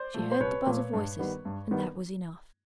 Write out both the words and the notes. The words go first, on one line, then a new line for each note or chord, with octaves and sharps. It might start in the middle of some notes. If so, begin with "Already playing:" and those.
She heard the buzz of voices; and that was enough.
Already playing: C5 D5
A#2 F3 A3
C5
C2 B4 C#5
A#2 F3 A3
G2
D#3 G3 B3
G2
D#3 G3 B3